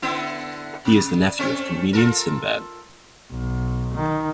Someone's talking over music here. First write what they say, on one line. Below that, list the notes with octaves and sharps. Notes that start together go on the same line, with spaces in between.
He is the nephew of comedian Sinbad.
D3 B3 E4
C3
A3 C4 C#4
F4 A4 A#4
B1
D#3